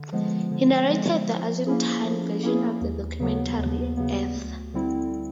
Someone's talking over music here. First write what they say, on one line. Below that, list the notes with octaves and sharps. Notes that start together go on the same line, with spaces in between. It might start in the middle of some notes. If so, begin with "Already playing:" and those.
He narrated the Argentine version of the documentary "Earth".
Already playing: D3
F3 G#3 B3
D3
F3 G#3 B3
F3
A#3 C#4 E4 G#4
F3
A#3 C#4 E4 G#4
D#2
C#3 F#3 B3
D#2
C#3 F#3 B3
D2
D3 G3 C4 E4